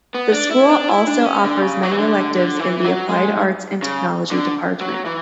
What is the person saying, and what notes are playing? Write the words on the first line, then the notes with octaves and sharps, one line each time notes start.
The school also offers many electives in the Applied Arts and Technology Department.
B3
D4
E4
D4
E4
D4
C#4
D3
C#3
F#3
E3
D3
D3
E3
F#3
G#3
C#3
D3
F#3
E3